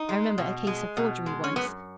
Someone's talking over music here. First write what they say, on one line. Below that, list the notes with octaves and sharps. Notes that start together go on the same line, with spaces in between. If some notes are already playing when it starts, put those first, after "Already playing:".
I remember a case of forgery once.
Already playing: D#4
G#3
B2
G#3
B2
G#3
C#4
F#2 B3